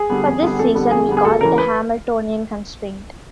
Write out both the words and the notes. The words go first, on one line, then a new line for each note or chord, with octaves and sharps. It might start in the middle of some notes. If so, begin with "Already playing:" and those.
For this reason we call it a Hamiltonian constraint.
Already playing: G#4
D3 G3 B3
F2
D3 G3 B3
F2 A4
D3 G3 B3
F2 G#4
D3 G3 B3
G#4
D2 A4
C#3 E3 A#4
B4